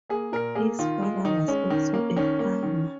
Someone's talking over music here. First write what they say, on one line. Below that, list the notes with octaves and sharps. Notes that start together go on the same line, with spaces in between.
His father was also a farmer.
A#3 G#4
A#2 A#4
A#3 G#4
D#3 F4
G#3
D#3 D#4
G#3 C#4
D#3
A#3
D#3 C#4
A#3
D#3